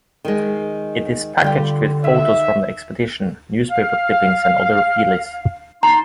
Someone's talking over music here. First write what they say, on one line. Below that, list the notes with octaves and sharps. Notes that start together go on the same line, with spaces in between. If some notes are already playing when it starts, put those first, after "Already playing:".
It is packaged with photos from the expedition, newspaper clippings and other feelies.
D#3 G#3
D3 G3 F4 G4
D#2 E5
F5
D#4 A5 A#5 C6